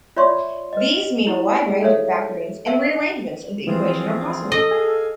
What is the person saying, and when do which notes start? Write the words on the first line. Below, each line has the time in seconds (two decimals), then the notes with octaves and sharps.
These mean a wide range of factorings and rearrangements of the equation are possible.
0.17 F4 C#5 D5 E5 C6 C#6
0.73 B4 D#5
1.27 E4 G4
1.68 G#4
1.83 D#4 A4 C#5 E5 F5
2.66 A#4 E5 F5 A5
3.67 E3 F3 C4 F4 G#4
4.52 A4 D#5
4.71 G#4 F5 G#5